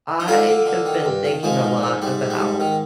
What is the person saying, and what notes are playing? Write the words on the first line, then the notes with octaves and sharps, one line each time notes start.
I have been thinking a lot about
D#4
D3 D4 F4
D3
D3
D#3
G2
D#3
G#2 F3 G#3
G#2
G#2
G#2 G3
G#2
G3
G#2
D#3